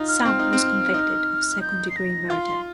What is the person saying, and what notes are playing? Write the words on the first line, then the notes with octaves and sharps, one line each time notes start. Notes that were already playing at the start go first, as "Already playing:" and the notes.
Sam was convicted of second-degree murder.
Already playing: D#4 F4
F6
C4 F6
D#4
C4
D#4
G6
C7
A#6
F4 C6